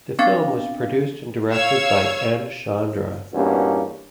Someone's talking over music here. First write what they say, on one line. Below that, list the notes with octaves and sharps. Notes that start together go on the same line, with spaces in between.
The film was produced and directed by N. Chandra.
B3 C4 D4 F5 D6 A6
C#5 F5 E6 G#6
E2 G2 B2 A#3 C#4